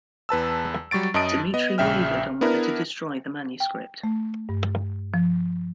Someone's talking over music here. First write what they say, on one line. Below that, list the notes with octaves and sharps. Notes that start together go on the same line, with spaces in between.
Dmitri wavered on whether to destroy the manuscript.
E2 B4 A5 E6
F#3 G3 C#6 A6 D7
F#2 D#5 A5 D#6 D7
B3 D#5
A#1 C#3 E5 G5 F6
B3 D4 E4 A#4
G5
A3
G2
F3